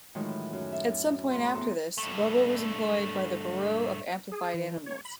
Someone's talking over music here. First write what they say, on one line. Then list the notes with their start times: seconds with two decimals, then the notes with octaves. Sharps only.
At some point after this, Bobo was employed by the Bureau of Amplified Animals.
0.15 A2 D#3 E3 F#3 G#3 F4
0.53 F#2
0.72 A4 E5
1.31 A2 C6
1.53 E2 A4 A#5
1.98 G2 A3
4.32 G#4
4.54 E3
4.86 C#5
5.05 B5